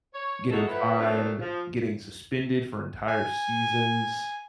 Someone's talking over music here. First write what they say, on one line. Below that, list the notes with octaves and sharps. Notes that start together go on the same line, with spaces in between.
getting fined, getting suspended for entire seasons.
C#5
G#3 A3 D#4 F#4 G#4 A4
F2 A2 B3 B4 E5 F#5
A#2 F3 F#3 A3 C4 D4
F3
G#5